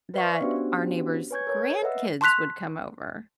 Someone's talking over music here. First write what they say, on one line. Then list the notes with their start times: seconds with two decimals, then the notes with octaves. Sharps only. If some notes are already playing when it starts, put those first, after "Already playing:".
that our neighbors' grandkids would come over.
0.14 B4 C5 D5 E5 F5 C#6
0.41 B3 C#4 D4 F#4 G4 C5
1.31 B4 C#5 G#5 C#6 G6 G#6
1.47 A#4 C#5
1.82 B4 D#5 E5 F#5 E6
2.21 A5 C6 C#6 F#6 B6 F7